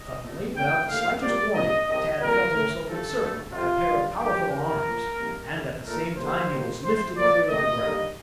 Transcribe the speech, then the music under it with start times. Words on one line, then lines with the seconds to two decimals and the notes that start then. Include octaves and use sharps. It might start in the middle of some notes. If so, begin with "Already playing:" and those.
Suddenly, without the slightest warning, Tad felt himself encircled by a pair of powerful arms, and, at the same time, he was lifted clear of the ground.
Already playing: D#5
0.22 C2 A#2 A3
0.55 D#2 D3 A3 G5
0.88 D#2 D3 A3 F5
1.22 A#2 G3 A#3 D5
1.54 G2 F3 A#3 D#5
1.88 C2 C3 D#3 D#5
2.20 F2 C3 G3 A#3 A#4
2.53 A2 A3
2.86 G2 F3 A3 A4
3.19 D2 D3 A3
3.53 F2 C3 F3 F4
3.86 G2 D#3 G3
4.19 G2 D3 G3 G4
4.51 C2 C3 D#3 A#4
4.84 A2 F3 A#3
5.17 F2 D#3 G3 A#3
5.50 D#2 D3 G3
5.84 A#2 A3 A#4
6.16 D2 C3 G3 A#3 C5
6.50 D#2 D#3 G3 A#3
6.83 A2 A3 C5
7.16 A2 F3 A#3 D5
7.49 D#2 D#3 A3 D#5
7.81 D#2 D3 G3 A#3